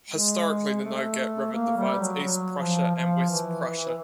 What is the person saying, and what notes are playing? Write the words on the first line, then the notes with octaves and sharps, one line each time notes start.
Historically the Nogat River divides East Prussia and West Prussia.
G#3
A3
A#3
G3
F#3
F#3
F3
F3
E3